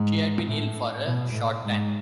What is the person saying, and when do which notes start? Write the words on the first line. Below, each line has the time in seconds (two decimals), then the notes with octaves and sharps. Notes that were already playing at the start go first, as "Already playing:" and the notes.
She had been ill for a short time.
Already playing: G#2
0.46 A2
1.06 B2
1.34 A2
1.64 G#2